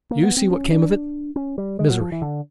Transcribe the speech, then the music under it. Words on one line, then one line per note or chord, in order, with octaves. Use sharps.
"You see what came of it--misery."
A#3
B3
C4
C#4
D4
C#4
G3
G#3
F#3
F3
E3
D3